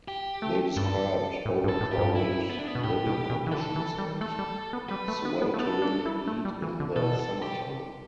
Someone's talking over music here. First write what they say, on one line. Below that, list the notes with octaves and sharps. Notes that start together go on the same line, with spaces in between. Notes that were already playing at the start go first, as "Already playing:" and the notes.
They described overcrowded living conditions and sweltering heat in the summertime.
G4
A3
G2 A4
A2
G2
A4
A2
G4
G2
E4
B3
D4
B3
B2
A2 G4
B2
B2
E3
D3 A4
E3
G3
A3 A4
G3
B3
G3 B4
A3
B3
B3
A3
B3 A4
D4
E4
A3
G3
E3
D3
B2 A4
A4
G4